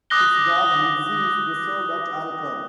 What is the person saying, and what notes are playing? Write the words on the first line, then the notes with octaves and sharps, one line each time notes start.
His dog Mitzi is preserved at Alcor.
D6 D#6 F#6 A#6 G7